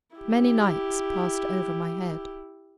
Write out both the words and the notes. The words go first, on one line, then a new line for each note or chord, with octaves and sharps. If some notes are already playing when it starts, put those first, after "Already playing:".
Many nights passed over my head.
E4 G4